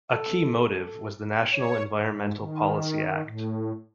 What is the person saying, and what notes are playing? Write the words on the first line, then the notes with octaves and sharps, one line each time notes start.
A key motive was the National Environmental Policy Act.
A4
C#5
G#2
D#3
A2